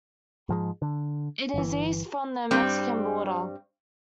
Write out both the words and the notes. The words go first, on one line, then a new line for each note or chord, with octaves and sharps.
It is east from the Mexican border.
G#2 F3 G#3
D3
G1 E3
G2 G3 C4